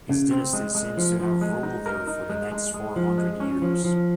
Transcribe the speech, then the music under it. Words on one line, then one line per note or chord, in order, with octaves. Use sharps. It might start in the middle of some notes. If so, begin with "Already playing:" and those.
His dynasty seems to have ruled there for the next four hundred years.
C#3
C4
G#3
G#3
F3
F3
G#3
D#4
A#4
D#4
G#3
G#3
G#3
F3
G#3
C#4
F3
F3